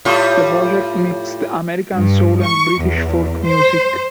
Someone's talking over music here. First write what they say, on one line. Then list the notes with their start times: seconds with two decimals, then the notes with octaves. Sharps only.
The project mixed American soul and British Folk music.
0.05 A2 G3 F4
1.93 G2
2.44 C#6
2.81 E2
3.46 C5